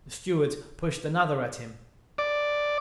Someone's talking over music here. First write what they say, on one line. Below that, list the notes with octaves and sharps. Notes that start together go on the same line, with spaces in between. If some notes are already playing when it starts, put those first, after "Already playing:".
The stewards pushed another at him.
D5